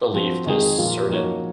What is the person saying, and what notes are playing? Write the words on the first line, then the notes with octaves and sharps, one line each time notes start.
believe this certain
F3 C4 F#4
F2 D#3 G#3 D#4 G#4
A#2 F3 A#3 F4
F3 A#3 D#4 F#4 C#5